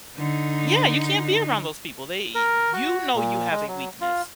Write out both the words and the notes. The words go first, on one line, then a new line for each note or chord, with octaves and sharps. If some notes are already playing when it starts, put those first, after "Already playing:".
yeah, you can't be around those people. They you know you have a weakness,
D3 D#4
A#4
F#4
A#2
G#3
F#3
F4